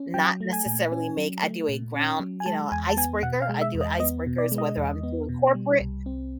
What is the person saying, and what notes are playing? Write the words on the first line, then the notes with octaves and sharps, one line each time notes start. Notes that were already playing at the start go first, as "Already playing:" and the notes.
not necessarily make I do a ground you know, icebreaker, I do icebreakers whether I'm doing corporate
Already playing: C#4
F#3 G5
A3
G#5
A#2
C#4
F#3
A3
A#2
C#4
F#3
G#5
G#3 A5
E2 G#5
A5
B3 G#5
B2 F#5
F5
G#3
E5
E2
D#5
B3 D#5
B2
D5
G#3
D#5
E2
B3
B2
G3
C2
C4